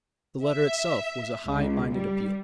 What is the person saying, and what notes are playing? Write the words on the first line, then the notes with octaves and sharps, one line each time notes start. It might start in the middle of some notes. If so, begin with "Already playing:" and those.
The letter itself was a high minded appeal . . . .
E5
C#2
G3